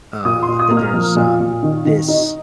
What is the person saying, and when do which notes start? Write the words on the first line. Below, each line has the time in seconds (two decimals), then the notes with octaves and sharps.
uh, that there's, um, this
0.25 A#2 D#6
0.42 C6
0.48 A#2
0.59 D#6
0.71 A#3
0.77 F6
0.94 F3
1.16 A#2
1.40 A#2
1.63 D#3
1.85 D#3
2.08 D#4